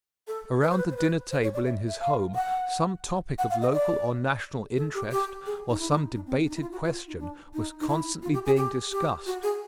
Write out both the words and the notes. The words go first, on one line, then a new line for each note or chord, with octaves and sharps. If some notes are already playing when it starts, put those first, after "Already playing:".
Around the dinner table in his home some topic of local or national interest, or some debated question, was constantly being discussed.
A4
B4
C5
B4
C5
B4
C5
C#5
D5
E5
E5
F5
F#5
F#5
F5
D#5
D5
A4
G4
G4
G#4
D#4
E4
D#4
D4
C4
D4
D#4
E4
F4
F#4
F4
D#4
D4
D#4
D#4
E4
F4
G4
G#4
G4
G4
F#4
G#4